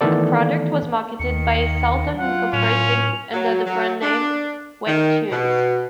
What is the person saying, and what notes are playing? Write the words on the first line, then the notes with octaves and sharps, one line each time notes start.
The product was marketed by Salton Incorporated under the brand name "Wet Tunes".
D#3 E3 A3 B3 A4 D5
D#2 D#3 C#7
F#3 F4 F#5
A2 C#4 F7
F#3
F#3
D4
D#3
B2